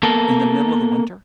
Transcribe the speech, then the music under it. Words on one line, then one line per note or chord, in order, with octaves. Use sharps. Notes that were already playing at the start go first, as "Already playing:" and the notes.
in the middle of the winter,
A#3 B3 A4 A#4